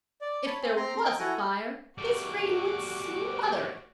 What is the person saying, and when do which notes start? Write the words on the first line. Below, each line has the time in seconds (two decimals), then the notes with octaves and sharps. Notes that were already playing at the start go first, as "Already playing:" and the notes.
If there was a fire, this rain would smother it.
0.21 D5
0.46 C#5 A5 B5
0.62 C4 G#5
0.76 C4 A#5 C6
1.05 D#5 G5
1.19 E4 F#4 A4 F#5 G#5 A#5
1.98 G3 A3 F#4 D6